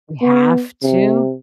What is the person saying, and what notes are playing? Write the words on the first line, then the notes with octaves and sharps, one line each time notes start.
We have to?
B3
C3